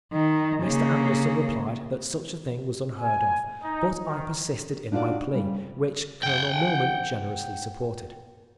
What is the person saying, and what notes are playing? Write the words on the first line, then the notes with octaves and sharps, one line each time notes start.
Mr. Anderson replied that such a thing was unheard of, but I persisted in my plea, which Colonel Milman generously supported.
D#3
C#3 A#3
G#5
D#4
D#3
D4 D#4 F4 F#4 D5
C#3 G3
F#5 G5